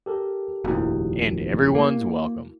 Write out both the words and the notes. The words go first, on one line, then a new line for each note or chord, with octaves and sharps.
And everyone’s welcome.
G4 A4 A#4
F1 A#1 D#2 E4 F#4
A#3